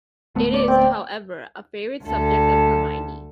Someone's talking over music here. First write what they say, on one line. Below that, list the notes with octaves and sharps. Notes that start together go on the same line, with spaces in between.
It is, however, a favourite subject of Hermione.
D1 A3 B3
D5
C4
D2 A4